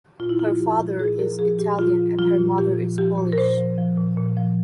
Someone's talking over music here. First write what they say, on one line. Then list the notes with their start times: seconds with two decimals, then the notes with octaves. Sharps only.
Her father is Italian and her mother is Polish.
0.19 A#2 F4
0.29 E4
0.39 F3 F4
0.59 F3 G4
0.79 A#2
0.99 A#2 G#4
1.19 F3 A#4
1.39 F3 G#4
1.59 A#2 G4
1.79 A#2 F4
1.99 F3
2.18 F3 F4
2.38 A#2
2.58 A#2 G4
2.78 F3
2.98 F3 G4
3.18 A#2
3.32 A#4
3.38 A#2 C5
3.57 F3
3.78 F3
3.98 A#2
4.17 A#2
4.37 F3